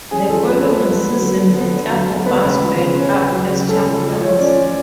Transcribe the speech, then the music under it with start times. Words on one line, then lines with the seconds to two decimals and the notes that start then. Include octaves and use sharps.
The following season the club bounced back up as Champions.
0.11 C#4 G#4
0.29 F3 A4
0.47 A3 B4
0.64 F3 A4
0.82 B3 B4
1.00 D3
1.18 F#3
1.37 D3
1.54 B3
1.72 D3
1.90 F#3
2.08 D3
2.26 B3 B4
2.44 C#3
2.62 F3
2.79 C#3
2.97 C#4
3.14 C#3
3.32 F#3
3.50 C#3
3.68 C#4 A4
3.86 F3
4.04 A3
4.21 F3 C#5
4.39 C#4 D5
4.57 F3